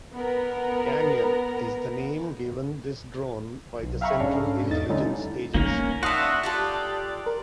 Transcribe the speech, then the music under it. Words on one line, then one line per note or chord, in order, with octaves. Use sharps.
"Kanyon" is the name given this drone by the Central Intelligence Agency.
B3 A#4 A#5
B1
E5 F5 G5 A#5 B5 C#6
G#2 C#4 D4 A4 F5
E2 D#4 A6
D3 G3 A3 C#4 D#4 E4
A#3 C#4 D#4 A#4
D4 F4 F#4 E5 C6 D#6 F#6
F4 G4 A4 D5
A#4